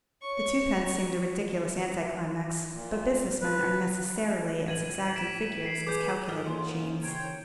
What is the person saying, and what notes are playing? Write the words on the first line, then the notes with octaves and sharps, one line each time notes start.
The twopence seemed a ridiculous anti-climax; but business-men are necessarily as exact in figures as calculating-machines.
C#5 C#6
A#2
B4
A2 G#6 D#7 F#7
B6 D7 E7
C7 D7
G#4 B4 D6 G6
D#4 F4 G#4 A4 D#5 E5
F#2 A#3 B3 C#4 C5
C#3 A#4 C5 C#5 G5